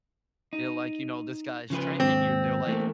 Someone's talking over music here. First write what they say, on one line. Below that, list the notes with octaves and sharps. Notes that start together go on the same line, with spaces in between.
they're like, "You know, this guy's training you." They're like,
D#4
C#3 F3 B4
D#2 G#2 C4
E3 A3 A#3